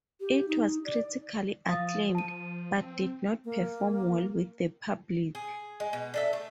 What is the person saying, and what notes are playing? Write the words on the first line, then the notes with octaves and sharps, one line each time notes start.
It was critically acclaimed, but did not perform well with the public.
G4
D#4
D5
F3 F5 D#6 A6
A5 D#7
C4
A#3
G#4
G#3
B2
D4 A4 E5
A3